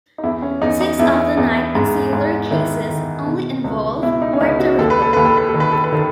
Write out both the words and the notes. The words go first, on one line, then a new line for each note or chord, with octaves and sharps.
Six of the nine Insular Cases only involve Puerto Rico.
D#4
E2 E4
C#4
E2 D#4
D#4
E2 E4
E2
G#2
G#2
D#3 E4
D#3
B2
C#2
B2 E4
D#4
C#4
C#2 D#4
F#4
D#2 A4
B4
A4
D#2 B4
A4
B4
A4
D#3
B4
A4
B4
D#3 A4